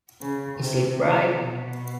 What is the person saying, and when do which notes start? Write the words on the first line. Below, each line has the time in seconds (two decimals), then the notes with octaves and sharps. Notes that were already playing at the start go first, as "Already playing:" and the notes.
Is it bright?
0.21 C#3
0.60 C3
1.36 B2